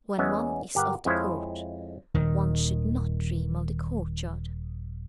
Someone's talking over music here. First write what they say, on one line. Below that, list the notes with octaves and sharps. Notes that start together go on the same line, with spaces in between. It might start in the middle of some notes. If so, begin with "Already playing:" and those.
When one is of the court, one should not dream of the courtyard.
E2 G#3 B3 C#4 D#5 E5
G1 G4 A#4 F#5
F2 G#3 E4 C5 C#5 F5
D#1 D#3